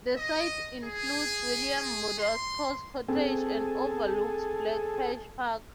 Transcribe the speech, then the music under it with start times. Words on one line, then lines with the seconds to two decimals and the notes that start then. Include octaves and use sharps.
The site includes William Murdoch's cottage and overlooks Black Patch Park.
0.16 D#5
0.83 G#4
2.18 C6
3.08 C4 G#4 A4